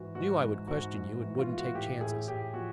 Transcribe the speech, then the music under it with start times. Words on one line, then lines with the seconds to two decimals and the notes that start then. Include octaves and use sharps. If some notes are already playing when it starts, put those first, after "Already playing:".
Knew I would question you and wouldn't take chances.
Already playing: G#2 E3 F#4
0.15 G#2 F#4
0.42 G#2
0.68 G#2 F#4
0.95 G#2
1.21 E3
1.39 F4
1.48 E3
1.58 F#4
1.75 A2 G4
2.01 A2 G#4
2.28 A2 G4
2.54 F3 F#4